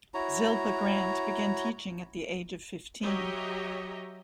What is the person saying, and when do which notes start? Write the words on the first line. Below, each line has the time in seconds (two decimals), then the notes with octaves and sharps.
Zilpah Grant began teaching at the age of fifteen.
0.14 E4 F#4 C#5 A#5
3.02 F#3 G4 C#5 D#5 E5 A#5